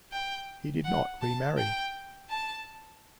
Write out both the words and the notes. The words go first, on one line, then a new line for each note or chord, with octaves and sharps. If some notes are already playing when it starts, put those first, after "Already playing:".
He did not remarry.
G5
F#5
A5
G5
A5